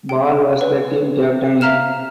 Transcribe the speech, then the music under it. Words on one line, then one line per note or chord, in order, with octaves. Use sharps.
Ball was the team captain.
G5
B4
E5 F5 A#5 F6 E7